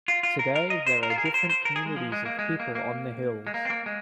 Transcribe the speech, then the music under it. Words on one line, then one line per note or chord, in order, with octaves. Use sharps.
Today, there are different communities of people on the hills.
F4
F4
A#4
A#4
D#5
C5
A#4
F4
G#4
A#4
C5
C5
A#4
G#4
G#3
F3
G#3
A#3
G#3
A#3
A#3
G#3
A#3
C4
A#3
G#3